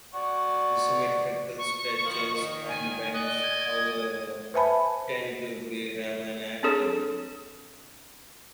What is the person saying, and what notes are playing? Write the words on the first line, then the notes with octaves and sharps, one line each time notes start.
Symmetrical stretches and bends, however, tend to be Raman active.
D5 F#5 C#6
C#6
A#2 D#3 F3
D#3
G#5
F#4 D5 D#5 F#6
G#6
B4 C5 E5 G#5 A5 B5
C4 D4 G#4 A4 C#5